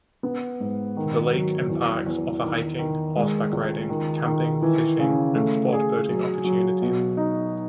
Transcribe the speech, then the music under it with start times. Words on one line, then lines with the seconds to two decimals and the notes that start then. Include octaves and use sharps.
The lake and parks offer hiking, horseback riding, camping, fishing, and sport boating opportunities.
0.23 B3
0.60 G#2
0.97 D#3
1.33 F#3
1.69 E2
2.06 E2
2.42 D#3
2.79 D#3
3.16 G#3
3.52 C#2
3.89 D#3
4.25 D#3
4.62 E3
4.99 C#3
5.35 A3
5.72 G#4
6.09 F#3
6.44 F#3
6.82 B2
7.17 D#4